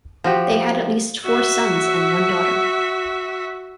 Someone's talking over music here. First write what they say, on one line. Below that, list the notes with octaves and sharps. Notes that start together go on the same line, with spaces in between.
They had at least four sons and one daughter.
F3 F#4 G4
F#4 E5